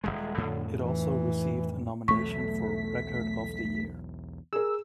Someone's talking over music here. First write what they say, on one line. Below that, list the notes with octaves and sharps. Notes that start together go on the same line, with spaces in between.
It also received a nomination for Record of the Year.
D#1 C#2 G#3
F2 A2 D3
E3
B1 E2 F#3 A3 C#6 B6
G#4 A#4 E6